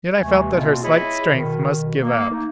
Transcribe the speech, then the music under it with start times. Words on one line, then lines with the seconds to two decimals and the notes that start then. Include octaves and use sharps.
Yet I felt that her slight strength must give out.
0.18 D#2 C3 E3 G#3 A3 G#5
0.52 B2 A#3 C4 F4
0.83 E4 G#4 C#5 D#5 B5
1.27 B2 D#3
1.99 A#3
2.30 A3 D#4